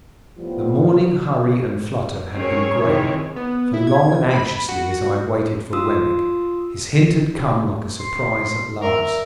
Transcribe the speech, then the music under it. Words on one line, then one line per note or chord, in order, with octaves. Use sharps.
The morning hurry and flutter had been great; for, long and anxiously as I had waited for Wemmick, his hint had come like a surprise at last.
A2 F3 G3 B3
F#3 C4 C#4 G#4 A#4 C#5
C3 D#3 E3
B3
E4
G#6
B5
F#4
F4 C6 D#6 E6
C6
A#4 D5 E5